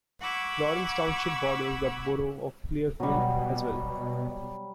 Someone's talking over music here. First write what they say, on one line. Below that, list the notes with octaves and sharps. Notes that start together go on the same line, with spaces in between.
Lawrence Township borders the borough of Clearfield as well.
F#5 B5 C#6 D6 E6 G#6
B2 F#3 G3